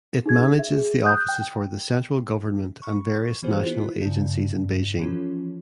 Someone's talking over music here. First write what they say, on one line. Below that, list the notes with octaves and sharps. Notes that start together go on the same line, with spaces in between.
It manages the offices for the central government and various national agencies in Beijing.
D#4 G#4 G#6
E5
G#4
D#6 F#6 G6
G5
B5 C#6
E3 A#3 B3 F#4 G#4 C5
B3 E4 F4 C5
G2 C#3
E3 F3 C#4 F4 A4